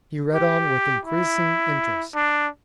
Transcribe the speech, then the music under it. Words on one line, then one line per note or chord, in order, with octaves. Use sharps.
He read on with increasing interest.
G4
E4
D4